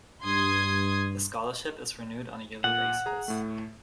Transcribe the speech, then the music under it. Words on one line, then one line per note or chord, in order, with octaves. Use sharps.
The Scholarship is renewed on a yearly basis.
G2 C6 D#6 G#6
A#2 F#5
G#4 A#5
A2 A3